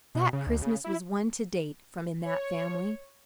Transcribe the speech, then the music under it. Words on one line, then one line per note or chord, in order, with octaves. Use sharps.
That Christmas was one to date from in that family.
B2
C#3
D2
C#3
E4
C#5